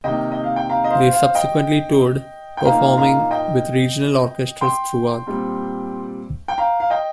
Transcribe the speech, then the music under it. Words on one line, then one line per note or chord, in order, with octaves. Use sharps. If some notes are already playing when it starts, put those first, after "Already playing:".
They subsequently toured, performing with regional orchestras throughout.
C3 D#3 A#3 D#4 D#5 G5
D#5
F5
G5
F5 A#5
D#5
C5 F5
C5 F5
D#5 G5
G5
A#2 A#3 D#4 F5 A#5
F5 A#5
D#5 G5
G5 C6
A#2 G3 C4
G5
F5 A#5
F5
D#5 G5